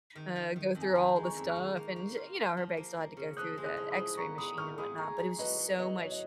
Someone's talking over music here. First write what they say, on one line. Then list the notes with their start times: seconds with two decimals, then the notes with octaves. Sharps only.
uh, go through all the stuff, and, you know, her bag still had to go through the X-ray machine and whatnot, but it was just so much
0.15 D#3
0.36 D#3
0.56 D#3
0.75 F2
0.81 G#5
0.88 A#5
0.95 D#3 G#5 B5
1.16 G#3
1.23 A#5 C#6
1.37 F2
1.50 C#6 F6
1.56 D#3
1.77 A#3
1.96 A#3
2.17 F4
2.37 F4
2.57 F3
2.77 A#3
2.97 A#3
3.17 C#3
3.37 F3 D#6 F#6
3.57 G#3
3.64 D#6 F#6
3.77 F3
3.91 B5 D#6
3.97 F3
4.17 B3 A#5 C#6
4.38 G#3 B5 D#6
4.57 D#4 C#6 F6
4.78 G#3 B5 D#6
4.98 G#4 A#5 C#6
5.18 G#4
5.38 F#3 B4 D#5
5.59 F#3
5.78 F#3 B4 D#5
5.98 F#3 C#5
6.11 D#5